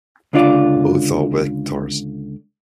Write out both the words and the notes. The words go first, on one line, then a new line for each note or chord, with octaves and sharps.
Both are vectors.
C#2 D3 D4 F4 D5